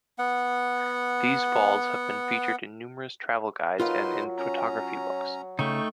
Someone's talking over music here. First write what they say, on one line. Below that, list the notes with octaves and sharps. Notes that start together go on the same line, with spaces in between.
These falls have been featured in numerous travel guides and in photography books.
B3 F#5
F#3 D#4 F4 A#4 B4 F5 C6
C#4 A#5
C#3 A3 D#4 G5 C#6